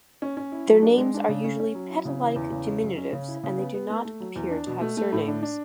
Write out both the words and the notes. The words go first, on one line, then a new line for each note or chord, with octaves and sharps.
Their names are usually pet-like diminutives, and they do not appear to have surnames.
C#4
C#4
E4
F#3
D4
G#3
D4
C#3
C#4
C#4
F#3
E4
C#3
E3
E2
C#3
C#4
F#2
C#4
C#3
E4
C#3
B3
B3
A3
A3
F#3
E2
D4
B2
A3
A3
A2
D4
D4